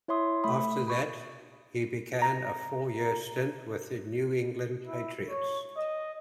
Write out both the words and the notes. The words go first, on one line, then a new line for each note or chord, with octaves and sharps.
After that he began a four-year stint with the New England Patriots.
E4 C#5 E5 C6 D#6
A3 E5 B5 D#6
B5 C#6
A#5
E4
C#5
D#5